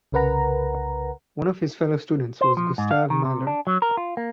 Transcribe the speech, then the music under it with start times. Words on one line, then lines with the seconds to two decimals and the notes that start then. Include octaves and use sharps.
One of his fellow students was Gustav Mahler.
0.12 C2 C#3 A#4 B4 F#5 A#5
2.41 C5
2.57 F3
2.78 G#2
2.91 F5
3.10 D#3
3.25 C3
3.47 D4
3.67 F#3
3.82 A#4
3.97 F4
4.17 A#3